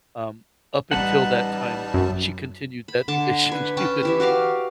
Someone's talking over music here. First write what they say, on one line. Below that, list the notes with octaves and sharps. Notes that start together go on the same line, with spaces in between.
Um, up until that time, she continued that tradition. She would
A1 G3 D#4 B4 F#5 A5
F#2
B5
D3 A5 D6
B4 G#5
C#4 B4 G5 A5
E3 E4 G4
F#4 G4 D5 F5